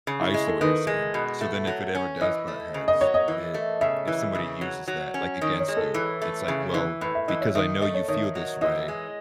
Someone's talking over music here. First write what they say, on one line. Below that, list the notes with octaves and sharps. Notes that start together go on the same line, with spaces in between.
I see what you're saying, so then if it ever does butt heads, it if somebody uses that, like against you, it's like, "Well, because I know you feel this way.
C#3
E4
G#3
A4
D#3 B4
G#3
B2
A3
F#3
C#4
E3 D#5
A3
C#3
D#5
F#3 C#5
D#5
E3
A3
C#3 E5
E3
C#3
F#3
F#3
C#4
D#3
C#5
G#3
A4
E3
A3
C#3
E3
A2 B4
E5
E3 D#5
C#5
D#3 E5
A3 D#5
C#5
D#3 C#5
F#3
E3 D#5
G#3